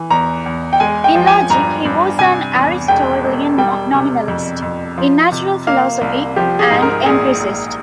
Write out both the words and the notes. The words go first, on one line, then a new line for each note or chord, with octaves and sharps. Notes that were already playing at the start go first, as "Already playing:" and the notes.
In logic, he was an Aristotelian nominalist; in natural philosophy, an empiricist.
Already playing: E3
E2 A#5
E2
G5
G#3 G#5
G5
F3
G#5
G2 A#5
G2
C3 G#5
E2
E1 G5
E1
G3 G5
C3
F2
F2
F3
C3
A#3 F5
C2
F3 G4
G#4
G#2
A#4
A#1 G#4
A#1